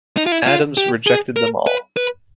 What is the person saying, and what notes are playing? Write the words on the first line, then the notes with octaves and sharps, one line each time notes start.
Adams rejected them all.
D#4
F4
E4
F4
G4
G#4
A#4
B4
B4